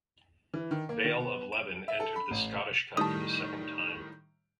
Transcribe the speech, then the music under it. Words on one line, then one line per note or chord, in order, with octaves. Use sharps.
Vale of Leven entered the Scottish Cup for the second time.
E3
D#3
A#3
D#3
B3
D7
E5
A4
B5
A1
A2 D#3 G3 A5 D#6